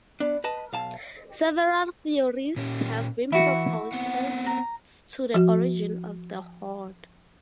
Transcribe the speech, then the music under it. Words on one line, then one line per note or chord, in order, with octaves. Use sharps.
Several theories have been proposed as to the origin of the hoard.
B3 D4
B4 D#5 A5
B1 F5 A5
A#2 C#4 G4
E3 E4 F#4
B3 C4 F#5
A#5
F3 F#4